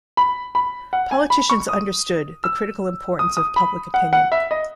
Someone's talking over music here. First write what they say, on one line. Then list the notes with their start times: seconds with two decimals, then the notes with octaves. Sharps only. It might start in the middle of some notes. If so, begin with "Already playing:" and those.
Politicians understood the critical importance of public opinion.
0.17 B5
0.55 B5
0.93 F#5
1.11 G#5
1.30 B5
1.50 C#6
1.69 D#6
2.44 E6
3.19 D#6
3.37 D#6
3.56 B5
3.94 F#5
4.13 F#5
4.32 E5
4.51 D#5